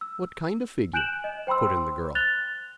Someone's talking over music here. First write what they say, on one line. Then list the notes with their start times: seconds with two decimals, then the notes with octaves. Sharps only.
"What kind of figure?" put in the girl.
0.01 E6
0.93 G#5 F#6 G6 D7 E7 F#7
1.24 D#5
1.47 C5 G5 B5 C6 E6
2.15 F#6 A6 F7 G7